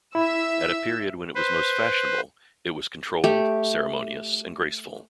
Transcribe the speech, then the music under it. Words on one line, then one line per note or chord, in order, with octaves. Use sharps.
At the period when it was most fashionable it was controlled, ceremonious and graceful.
E4 E5 E6
B4 C5
A3 G4